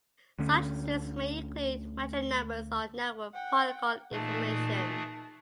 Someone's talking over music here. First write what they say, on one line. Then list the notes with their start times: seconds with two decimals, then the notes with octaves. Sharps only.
Such strings may include magic numbers or network protocol information.
0.39 D2 D3 A3 C#4
3.33 F#5 G5
4.12 A#2 E3 A3 D#4 G#4 A5